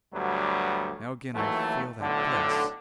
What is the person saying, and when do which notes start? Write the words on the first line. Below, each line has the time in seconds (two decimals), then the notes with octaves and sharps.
Now again I feel that bliss.
0.13 D2 G2 F#3 G3 B3
1.35 D#2 E3 F#3 A3
2.01 B1 A2 D3